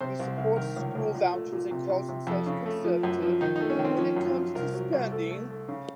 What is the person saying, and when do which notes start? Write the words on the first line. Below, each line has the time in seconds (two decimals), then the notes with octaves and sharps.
He supports school vouchers and calls himself "conservative when it comes to spending".
0.01 C3 C5
0.19 C2
0.38 C2
0.56 D#3 A#4
0.76 C#2
0.95 C#2
1.14 A#2
1.33 A3
1.52 A#2
1.71 C3
1.90 C3
2.09 C3
2.27 F2 A4
2.46 C#3
2.66 A3
2.84 F3
3.03 F#2
3.22 F3
3.41 D#3 D#4
3.56 D#4
3.61 A3
3.70 C#4
3.79 D#3
3.84 C4
3.97 F3 C#4
4.16 F#2
4.26 F4
4.36 F3
4.55 C2 A#4
4.73 F#3
4.92 C2
5.12 A3 A4
5.31 A3
5.50 A3
5.69 C#3